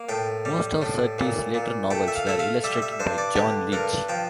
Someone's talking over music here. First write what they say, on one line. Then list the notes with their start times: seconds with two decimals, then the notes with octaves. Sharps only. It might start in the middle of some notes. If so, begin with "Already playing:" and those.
Most of Surtees's later novels, were illustrated by John Leech.
Already playing: A#3
0.09 A2 G5
0.45 G3
0.82 A2
1.18 A#2
1.54 A#2
1.90 A3 G5
2.08 E5
2.15 F5
2.27 A3 E5
2.39 F5
2.64 G3 E5
2.82 E5
3.00 G2 C5
3.18 D5
3.36 D3 G4
3.72 G2 A#4
4.09 F3 G5